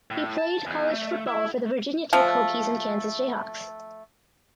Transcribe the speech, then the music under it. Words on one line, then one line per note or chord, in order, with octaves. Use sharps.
He played college football for the Virginia Tech Hokies and Kansas Jayhawks.
A2
A5
E2
A3
E4
F3 A3